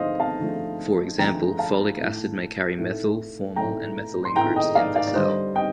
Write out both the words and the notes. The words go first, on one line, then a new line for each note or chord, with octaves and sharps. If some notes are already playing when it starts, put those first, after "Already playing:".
For example, folic acid may carry methyl, formyl, and methylene groups in the cell.
Already playing: D3 F3 A3 C5 D#5 F5
F5 A5
D3 F3 A3
D3 F3 A3 G5 A#5
F5 A5
A2 A3
A2 A3
A3 G5 A#5
A2
C6
A2 A3 G5 A#5
D#5 G5
D5 F5
D5 F5
D5
D3 G3 C5 D#5
D#5 G5